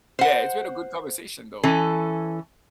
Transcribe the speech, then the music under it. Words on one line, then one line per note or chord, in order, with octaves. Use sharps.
Yeah, it's been a good conversation, though.
C5 F#5
E3 C#4 A4